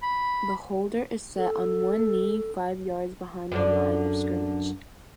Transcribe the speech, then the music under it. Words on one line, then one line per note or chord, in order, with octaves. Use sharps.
The holder is set on one knee five yards behind the line-of-scrimmage.
B5
A4
F#2 D3 D4